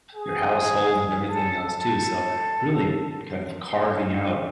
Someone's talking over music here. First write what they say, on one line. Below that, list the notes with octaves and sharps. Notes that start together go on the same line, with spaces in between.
your household and everything else too. So really kind of carving out
G#4
A4
A4